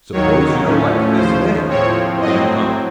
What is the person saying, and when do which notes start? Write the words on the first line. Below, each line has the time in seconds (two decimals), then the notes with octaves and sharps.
Suppose you no like this bay, why you come?
0.13 D#2 D#3 F#3 C#5
0.65 A2 F3 A3 C#4
1.17 D#2 C#3 F3 C5
1.69 A2 F3 C4 C#5
2.21 A2 F#3 C4 D#5